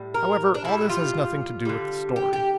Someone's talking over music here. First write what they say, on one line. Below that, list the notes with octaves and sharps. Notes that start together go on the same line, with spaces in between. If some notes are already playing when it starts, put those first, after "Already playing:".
However, all this has nothing to do with the story.
Already playing: A2 G3
A#4
D4
A2 G3 E4
F4
D3 G3
G4
G4